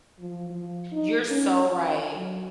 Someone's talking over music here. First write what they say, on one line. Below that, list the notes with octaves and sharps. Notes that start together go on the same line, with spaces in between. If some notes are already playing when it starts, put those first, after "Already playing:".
you're so right.
F3
F3
D#4
C#4
F4
F#3